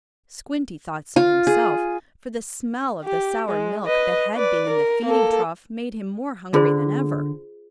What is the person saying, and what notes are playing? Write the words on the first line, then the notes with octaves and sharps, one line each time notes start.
Squinty thought so himself, for the smell of the sour milk that had been in the feeding trough made him more hungry than ever.
F4
G#4
G4
G#3
B4 D#5
B4 D5
A#4
A#3 A4
D3 F4 G#4 C5